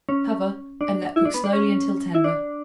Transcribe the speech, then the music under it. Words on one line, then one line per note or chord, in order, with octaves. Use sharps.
Cover and let cook slowly until tender.
C#4
D4
E4
D4
B3
D4
C#4
E4
D4